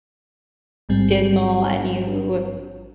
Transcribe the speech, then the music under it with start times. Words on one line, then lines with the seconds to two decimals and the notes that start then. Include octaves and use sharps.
dismal and you
0.89 A1 G#2 G3 C4